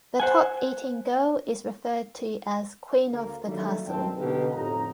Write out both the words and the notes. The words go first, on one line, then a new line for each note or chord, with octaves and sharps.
The top-eating girl is referred to as Queen of the Castle.
C5 F#5 G#5
D2 A#3
D#3 F#3 G3 A3 A#3 D4
B1 F#2 C4 G5 A5
B2 D3 A#3 D#4 G4 B4
F2 A2 D#4 F#4 A#5